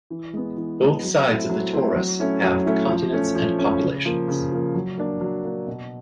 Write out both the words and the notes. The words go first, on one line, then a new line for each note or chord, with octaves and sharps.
Both sides of the torus have continents and populations.
E3
G#3 B3
E3
G#3 B3
F#3
A3 C4 E4
F#3
A3 C4 E4
F#3
A3 C#4 E4
F#3
A3 C#4 E4
F3
A3 C#4
F3
A3 C#4
C#3
F3 A#3
C#3
F3 A#3
F#3
A#3 D4
F#3
A#3 D4
B2